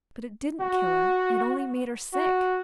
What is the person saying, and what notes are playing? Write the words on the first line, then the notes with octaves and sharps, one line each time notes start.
But it didn't kill her; it only made her sick.
F#4
F#4